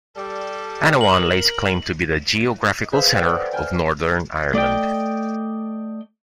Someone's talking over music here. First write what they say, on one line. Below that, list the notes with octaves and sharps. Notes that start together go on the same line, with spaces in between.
Annaghone lays claim to be the geographical centre of Northern Ireland.
G3 A4
A#4 F#7
G#4 B4 C5 E5 F5
A4 D5 F#5 G5
G5 G#5 F6
A3 D5 D#5 G5